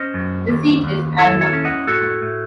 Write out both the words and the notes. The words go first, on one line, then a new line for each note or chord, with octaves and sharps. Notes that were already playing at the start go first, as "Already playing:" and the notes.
The seat is Alma.
Already playing: C#4 C5 D#5
F#2
D#2
D#2
E4 A4 C#5
A4 C#5
C#4
D#5 F#5
A2 F#4 A4
A2